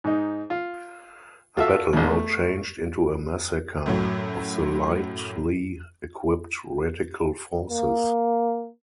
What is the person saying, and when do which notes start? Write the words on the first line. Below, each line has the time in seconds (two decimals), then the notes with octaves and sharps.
The battle now changed into a massacre of the lightly equipped radical forces.
0.04 G#2 D#4
0.50 F4
1.57 F4 F#4 A4 E5 E6
1.93 A1 D#2
2.10 A3
3.86 F#2 A2 F#3
7.70 A#3